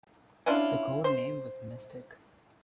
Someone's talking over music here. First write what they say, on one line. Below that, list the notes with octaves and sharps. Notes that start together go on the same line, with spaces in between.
The code name was Mystic.
C#4 D4 E4 F4
C5